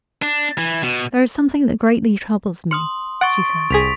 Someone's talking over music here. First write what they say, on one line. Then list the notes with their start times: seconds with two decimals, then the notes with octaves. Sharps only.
"There is something that greatly troubles me," she said.
0.22 D4
0.58 E3
0.83 B2
2.71 C6 D#6 F6 C#7
3.21 F#5 C#6 A6 D7
3.70 C2 G#4 B6 F7